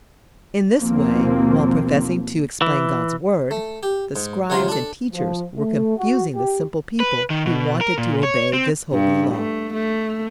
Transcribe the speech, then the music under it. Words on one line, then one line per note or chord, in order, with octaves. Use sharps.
In this way, while professing to explain God's Word, the scribes and teachers were confusing the simple people who wanted to obey this Holy Law.
D#2 B2 F3 A#3 C4
E3
A3
G4
G#2
C#2 C3 F#3 F4 F5
D4 A4
F3
A3
F#4
G4
B4
D#3
B2
A#4
A#2
C#5
C4
G2
A3
A3